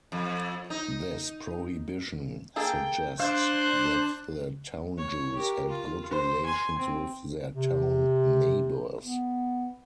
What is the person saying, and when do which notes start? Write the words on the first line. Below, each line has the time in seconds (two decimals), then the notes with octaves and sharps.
This prohibition suggests that the town Jews held good relations with their town neighbours.
0.12 F2
0.70 D#4
2.56 A#3 G#4 A4 G5
3.20 D4 C5 F5 F#6
4.97 C#5
5.35 G4 A#4
5.68 F4
6.10 C5
6.46 G#5 C6
6.78 C4
7.52 C3
9.02 B3